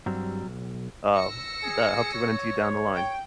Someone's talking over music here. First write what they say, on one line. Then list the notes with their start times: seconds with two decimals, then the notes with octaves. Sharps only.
Um, but I hope to run into you down the line.
0.06 G2 F#3 G3 C4
0.46 B1
1.14 E6 A#6 C#7
1.63 G#4
2.14 C#5
2.94 G5